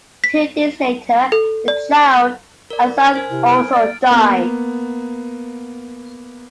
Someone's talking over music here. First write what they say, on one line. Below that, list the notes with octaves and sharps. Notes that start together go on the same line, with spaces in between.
Two days later the child, a son, also died.
B6
A4
D5
A#4 D5
C#4 F6 G#6
A#4 C5 G#5
C3 E4
G#6 D7
A#3 D5 A6
A#3 B3